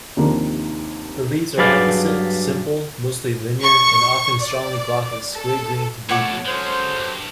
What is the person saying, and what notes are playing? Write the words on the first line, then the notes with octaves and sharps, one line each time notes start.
The leaves are opposite, simple, mostly linear and often strongly glaucous grey-green to blue-green.
D#2 C3 D#3 F3 A#3 D4
G2 F#3 G#4 B4 D5 F5
C#6
D5
A4
B2 A3 A4 C#5 F#5 D6
F#3 G#3 C#4 A4 C5
C2 G2